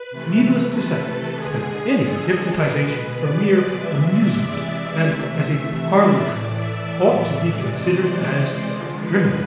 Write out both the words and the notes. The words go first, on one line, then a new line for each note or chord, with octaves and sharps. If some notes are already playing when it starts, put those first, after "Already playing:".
Needless to say that any hypnotization for mere amusement and as a parlor trick ought to be considered as criminal.
Already playing: B4
C3 E3 A3
A4
D3 G#3 G#4
A4
B2 G#3 B4
D5
C3 E3 G#3 E5
D5
D5
C3 E3 A3 E5
D5
A2 E3 A3
E5
D5
C3 E3 G#3
C5
D3 F3 G#3
B4